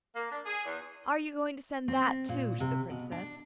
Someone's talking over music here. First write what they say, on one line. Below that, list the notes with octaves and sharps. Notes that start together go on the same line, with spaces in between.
Are you going to send that, too, to the Princess?'
A#3
D4
G#4
E2
C4
A#2
C3
B2
D4